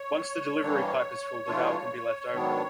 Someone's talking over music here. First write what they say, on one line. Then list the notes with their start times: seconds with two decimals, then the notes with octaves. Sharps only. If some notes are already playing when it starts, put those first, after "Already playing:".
Once the delivery pipe is full the valve can be left open.
Already playing: C#5
0.62 G2 E3 G3 A#3 D4
1.47 G2 E3 A3 D4 F4
2.32 G#2 D#3 F#3 B3 D4